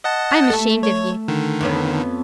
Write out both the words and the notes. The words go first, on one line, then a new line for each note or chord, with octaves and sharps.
I am ashamed of you.
D#5 F#5 A5
A3 A4
C#5
D3 D#3
F2 B3 C#4